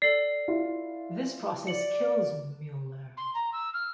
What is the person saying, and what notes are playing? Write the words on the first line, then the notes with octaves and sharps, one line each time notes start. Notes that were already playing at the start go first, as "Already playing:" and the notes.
This process kills Mueller.
A4 D5 C7
E4 F4
D5 C#7 F#7
C6
A#5
E6
F6